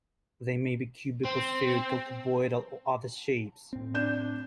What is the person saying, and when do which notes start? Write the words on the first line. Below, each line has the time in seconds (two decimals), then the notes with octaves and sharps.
They may be cubical, spherical, cuboidal, or other shapes.
1.25 C4
3.73 A2 C4
3.94 D4 G6 E7